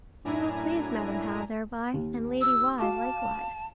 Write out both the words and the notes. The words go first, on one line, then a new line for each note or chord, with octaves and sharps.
You will please Madam How thereby, and Lady Why likewise.
F#2 A2 D4 E4 G#5 A#5
D#2
E6
F#4 F5 A5 D6